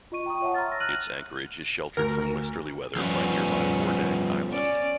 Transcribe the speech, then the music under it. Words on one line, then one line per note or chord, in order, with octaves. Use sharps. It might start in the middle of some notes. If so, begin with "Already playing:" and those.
Its anchorage is sheltered from westerly weather by nearby Wardang Island.
F4 D#5 C#6 D#7
G5 A#5 C#6 D#6
C#5 E5 F#5 A5
A#5 C6 C#6 F6 A6
E6 A#6
F6 F#6 A#6 D#7 F#7
D2 A#4
F3 G3 B3 C#4
C#4 D5